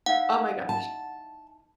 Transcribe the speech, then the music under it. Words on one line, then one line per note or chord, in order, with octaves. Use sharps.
Oh my gosh.
D#4 E4 F5 F#5
A5